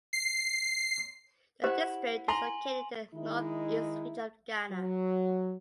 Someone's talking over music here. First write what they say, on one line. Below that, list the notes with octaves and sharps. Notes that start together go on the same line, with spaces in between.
The district is located in the North East Region of Ghana.
C7
E4 G4 C5 D#5 F#5
G#5 A#5 C6 F#7
D#3 G#3 D#4 E4
F#3